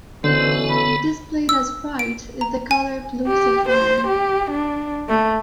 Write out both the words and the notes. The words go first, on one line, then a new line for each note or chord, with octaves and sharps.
Displayed as right is the color blue sapphire.
B2 D3 E3 B3 C#4 A4 C5
B5
E6
D7
A#5
G#5
G4
C5
G4
D4
A3